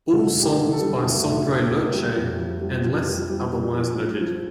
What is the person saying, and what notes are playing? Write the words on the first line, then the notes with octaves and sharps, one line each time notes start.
All songs by Sondre Lerche unless otherwise noted.
D3 A4
D2
G4
D3
A4
G3
D2
D2
D2
D2
G3
F2
F2
G3
F2 F4
G3
G3
G3
F3
F3
F3